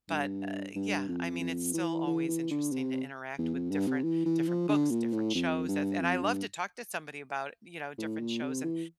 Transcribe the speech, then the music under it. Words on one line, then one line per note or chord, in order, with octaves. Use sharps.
but, uh, yeah, I mean, it's still always interesting to interact with different different books, different shows, that's and I love to talk to somebody about, you know, different shows and
G2
G2
F2
F2
E3
E3
E3
D3
C3
E2
F2
G2
C3
E3
E3
F3
D3
A#2
A2
F2
G2
F2
G2
A2
A#2
C3
E3